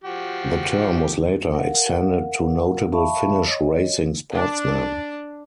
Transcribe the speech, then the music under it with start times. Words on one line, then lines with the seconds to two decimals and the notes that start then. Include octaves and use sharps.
The term was later extended to notable Finnish racing sportsmen.
0.04 F3 F#4 G4
1.53 A#4 F5 F#5
2.92 E5 F5 A5 B5 C#6
3.45 C#5 D#5
4.33 D4